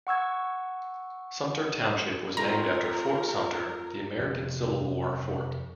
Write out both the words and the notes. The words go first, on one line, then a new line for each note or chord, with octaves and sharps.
Sumter Township was named after Fort Sumter, the American Civil War fort.
F#5 C#6 E6 G#6
A3 C4 F4 A#4 A#5
F2 C3 F3